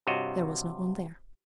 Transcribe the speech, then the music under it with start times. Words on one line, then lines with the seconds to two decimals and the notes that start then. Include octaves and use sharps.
There was no one there.
0.07 G2 C3 F4 F#4 C#5 D#5